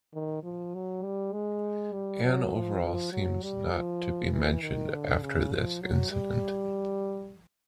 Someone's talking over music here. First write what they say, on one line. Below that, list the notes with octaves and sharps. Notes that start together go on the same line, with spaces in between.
Anne Overall seems not to be mentioned after this incident.
D#3
F3
F#3
G3
G#3
G3
F#3
F3
F3
F#3
G3
F3
E3
D#3
D3
C#3
F3
F#3
G3